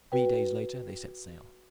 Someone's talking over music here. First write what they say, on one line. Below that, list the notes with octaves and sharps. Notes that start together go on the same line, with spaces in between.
Three days later they set sail.
F#4 B4 G5